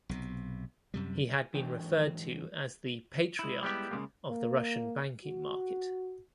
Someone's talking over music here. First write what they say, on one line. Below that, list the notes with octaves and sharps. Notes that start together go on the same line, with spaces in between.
He had been referred to as the "Patriarch" of the Russian banking market.
B1 C3
F#2 C3 G3
G#2 E3 F#3 D4 G5
G#3 E4
G3 B3 G4
C#3 G#3 A#3
A#3
F#4